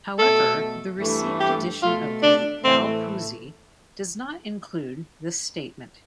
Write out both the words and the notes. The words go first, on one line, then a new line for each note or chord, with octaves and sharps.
However, the received edition of the "Baopuzi" does not include this statement.
B2 A3 A4
G2 E3 A3
G4
B2 A3 F4
D4
A2 E3 A3 C4